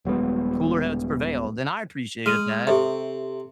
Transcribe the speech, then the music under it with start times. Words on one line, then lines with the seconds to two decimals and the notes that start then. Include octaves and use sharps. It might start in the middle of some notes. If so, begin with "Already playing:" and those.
cooler heads prevailed, and I appreciated that,
0.05 D#1 F#3 G#3 B3
2.26 G#3 F6 D#7
2.67 C3 G4 A4 E5